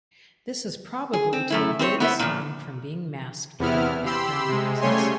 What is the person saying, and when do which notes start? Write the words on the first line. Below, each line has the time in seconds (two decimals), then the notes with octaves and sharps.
This is probably to avoid the song from being masked by the background noises.
1.13 G#4
1.33 C4
1.50 F#2 A3 E4
1.79 C4 G4 C5 C#5
2.00 B3 E4 C5 E5
2.19 A#2 F3
3.59 E2 C3 B3 E4 F6
4.05 G4 B5 C6 E6
4.49 C3 G#3
4.81 C#3 G3 A3 C#5 G#5 C6